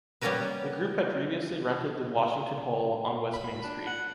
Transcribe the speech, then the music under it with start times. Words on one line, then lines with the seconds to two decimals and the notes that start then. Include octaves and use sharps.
The group had previously rented the Washington Hall on West Main Street.
0.21 G3 A#3 B3 C#4 A#4 B4
3.33 B5
3.64 D4
3.87 F#5